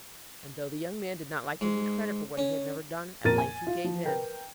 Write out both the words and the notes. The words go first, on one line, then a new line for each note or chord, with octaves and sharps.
And though the young man did not like taking credit for what he had never done, at length he gave in.
G#2
C#4
F2 A#2 A#4 A6 D#7
G#5
F4
F3
A#4 B4 G5